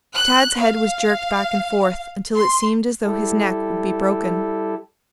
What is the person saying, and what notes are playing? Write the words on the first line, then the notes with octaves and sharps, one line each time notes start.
Tad's head was jerked back and forth until it seemed as though his neck would be broken.
F#6
F5
C6
G3 E4 G4 A4